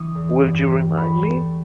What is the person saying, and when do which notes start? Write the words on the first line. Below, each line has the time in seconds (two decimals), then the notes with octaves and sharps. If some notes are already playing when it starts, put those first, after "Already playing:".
Will you remind me?
Already playing: E3 C#6 D#6
0.15 E2
0.42 G2
0.70 G3
0.97 E2 B5 C#6
1.25 A3